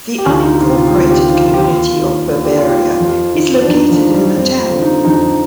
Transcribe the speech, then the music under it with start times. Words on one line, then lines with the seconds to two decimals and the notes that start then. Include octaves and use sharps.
The unincorporated community of Bavaria is located in the town.
0.18 G4
0.25 D2 F4
0.43 D#4
0.61 C3 D#3 F4
0.77 F4
0.88 G4
0.94 D2 F4
1.11 G4
1.29 C3 D#3 F4
1.46 F4
1.54 G4
1.62 D#2 F4
1.97 D#3
2.32 D#2
2.45 G4
2.57 F4
2.66 D#3 G4
3.00 F2 F4
3.34 D#3
3.61 D4
3.68 F2 D#4
3.91 F3
4.02 D#3
4.14 G3
4.36 F2 C4
4.59 F4
4.71 D3
4.82 D#4
5.05 F2 D#4